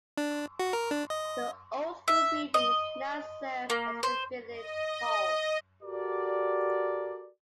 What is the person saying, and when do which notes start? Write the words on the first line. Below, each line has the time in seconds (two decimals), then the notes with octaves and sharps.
The old school buildings now serve as the Village Hall.
0.18 D4
0.59 F#4
0.73 A#4
0.91 D4
1.10 D#5
2.08 E5
2.54 D#5
3.70 A#3
4.03 C5
4.50 D#5
5.83 F#4 G4 A4 A#4 D5